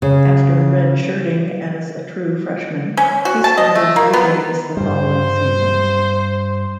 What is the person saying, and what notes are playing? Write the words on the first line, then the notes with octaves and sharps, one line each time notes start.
After redshirting as a true freshman, he started three games the following season.
C#3
C#4
F#4
A5
D#5
A3
A#3
B3
G2 G3 C5